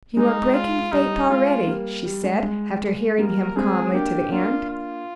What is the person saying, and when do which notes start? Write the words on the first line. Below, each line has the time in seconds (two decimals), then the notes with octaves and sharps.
"You are breaking faith already," she said, after hearing him calmly to the end.
0.16 G#3 D#4
0.54 F4
0.92 G3 D#4
1.30 G#3 F4
1.67 G3 A#3
2.05 G3
2.24 G#3
2.43 G#3
3.18 G3 A#3 A#4
3.56 G#3 C4 G#4
3.93 A#3 D4 G4
4.31 A#3 D4 F4
4.70 F4